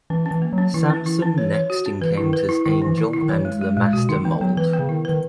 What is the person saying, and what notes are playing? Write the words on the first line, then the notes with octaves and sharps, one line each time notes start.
Samson next encounters Angel and the Master Mold.
E3 C#4
C#4
E3
A#3
F#3
C#4
E3 E4
C#4
E4
C#4
C#5
C#5
F#4
C#4
E3 B4
E4
D#3
B4
E4
D#3 E4
D#3 E3
E4
E4
D#3
E3 C#5
G#3
G#3
A#2 G#3
B2 F#4
D#3 D#4
E3 B3
F#3 B3
E3 B4
B3
C#3
D#3 E4
D#3 B4